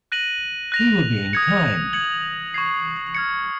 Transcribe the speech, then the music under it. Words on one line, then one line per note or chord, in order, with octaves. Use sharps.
We were being kind.
F#6 A#6 D#7 F#7
F#6 A#6 F7
D#6 G#6 C#7
G#6 C#7 F#7
C#6 G#6 C7
F6 G#6 C#7